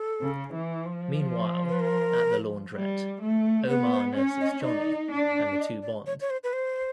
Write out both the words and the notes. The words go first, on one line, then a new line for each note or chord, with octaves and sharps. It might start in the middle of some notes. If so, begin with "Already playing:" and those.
Meanwhile, at the laundrette, Omar nurses Johnny, and the two bond.
Already playing: A4
C#3
E3
F3
B4
A#4
G3
A3
B3 B4
C5
C#4 C#5
D#5
D#4 D5
D4
D#5
D5
C#5
C#5
C5
B4
C5